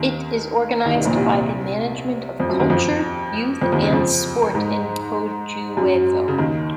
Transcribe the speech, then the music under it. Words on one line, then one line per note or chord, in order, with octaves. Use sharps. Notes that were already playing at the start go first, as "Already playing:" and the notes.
It is organized by the Management of Culture, Youth and Sport in Podujevo.
Already playing: D#2 D#3
D#2 D#3
C2 C3
A#1 A#2
C2 C3
F2 F3
F#2 F#3
D#2 D#3
F2 F3
F2 F3
D#2 D#3
C#2 C#3
F2 F3
G#2 G#3
F#2 F#3
C#3
D#2 D#3